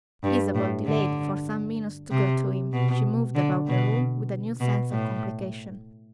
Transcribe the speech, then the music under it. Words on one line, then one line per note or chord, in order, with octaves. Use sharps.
Isabel delayed for some minutes to go to him; she moved about the room with a new sense of complications.
G2
A2
D3
C3
B2
D3
B2
B2
A2